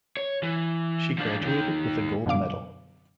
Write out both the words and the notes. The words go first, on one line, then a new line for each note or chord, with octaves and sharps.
She graduated with a gold medal.
C#5
E3
F3 D4
D#2 D#3
F#2 B2 D3 F5 D6